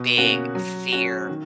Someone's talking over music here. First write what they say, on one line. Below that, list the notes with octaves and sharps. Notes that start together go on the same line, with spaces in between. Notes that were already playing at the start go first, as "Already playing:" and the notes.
big fear
Already playing: B2
A#3 C#4 F#4
F#3
C#4 F#4
D#3